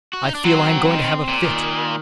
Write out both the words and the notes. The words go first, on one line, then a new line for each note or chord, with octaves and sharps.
I feel I am going to have a fit.
F#4
D#4
D4
F#3 C4
D#3
A#2
D#3